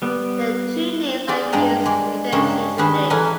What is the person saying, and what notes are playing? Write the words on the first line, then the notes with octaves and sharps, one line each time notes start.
The two names are used interchangeably.
G3 B3
F4 G#4 D5
G2 G#3 G5 A#5
G#3 D5
G2 C#3 G#3 A#3 D4 C#5
D#3 D4 G#4 B4
E3 A4 A#4 F#5 G#5 B5